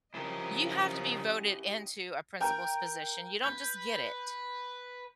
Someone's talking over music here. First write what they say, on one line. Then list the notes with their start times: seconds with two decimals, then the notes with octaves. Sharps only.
You have to be voted into a principal's position, you don't just get it.
0.15 C#3 F3 C#4 E4 G4 A#4 D#5
2.40 A#4 G5
3.43 B4 G6